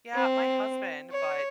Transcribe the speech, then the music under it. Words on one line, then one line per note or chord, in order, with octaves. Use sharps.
Yeah, my husband, but
C4
C#5